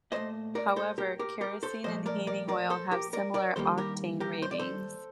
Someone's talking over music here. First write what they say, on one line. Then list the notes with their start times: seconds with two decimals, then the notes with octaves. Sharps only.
However, kerosene and heating oil have similar octane ratings.
0.12 A#2 A3 C5 D#5
0.55 A#4 D5
0.76 A4 C5
0.98 G4 A#4
1.19 G4 A#4
1.41 G4 A#4
1.63 A4 C5
1.84 A#2 F3 A3 C5 D#5
2.06 A#4 D5
2.27 A#4 D5
2.48 A#4 D5
2.70 A4 C5
2.92 G4 A#4
3.13 A#4 D5
3.34 A#4 D5
3.56 G2 D#3 G3 A#3 A4 C5
3.78 G4 A#4
4.20 G4 A#4
4.42 C5
4.51 D5
4.59 A4 C5